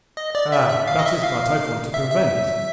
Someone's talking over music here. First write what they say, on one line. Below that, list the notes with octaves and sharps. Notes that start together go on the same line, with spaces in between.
"Ah! dat is vat I vant to prevent."
D#5
D5
E5
E5
F5
D#5
E5
F5
E5
E5